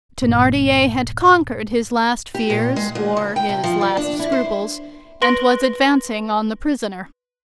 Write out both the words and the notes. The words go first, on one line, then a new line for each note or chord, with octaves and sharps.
Thenardier had conquered his last fears or his last scruples, and was advancing on the prisoner.
G1 A#2
G4
A#2
G#3
D2
C#3
G5
C3
F3
D5
D4
E4
C5
B4 C6 A#6 D7 F#7